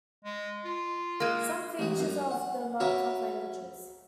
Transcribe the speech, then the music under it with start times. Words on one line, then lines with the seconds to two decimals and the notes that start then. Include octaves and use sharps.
Some features of the markup languages.
0.24 G#3
0.65 F4
1.20 G#3 A#3
1.79 A1 G#3
2.00 F#2
2.31 F#5
2.80 C#4 E4 F#4 B4 C#5